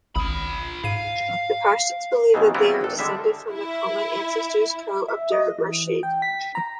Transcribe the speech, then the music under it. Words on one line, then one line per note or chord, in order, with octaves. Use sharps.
The Pashtuns believe that they are descended from the common ancestor Qais Abdur Rashid.
G#1 C#2 F4 B5 D#6
G#2 F5 D#7
A1 D#2 B2 D#3 E3
F#3 G3 B3 C4 E4 F4
G#1 A4
D3 G3 G#3 E5
E4
E5
D#5
E3
G5
B6
A#5